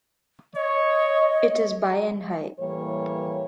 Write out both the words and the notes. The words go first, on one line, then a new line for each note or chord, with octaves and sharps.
It is by and high.
C#5 D#5
A2 E3 G3 A#3 C#5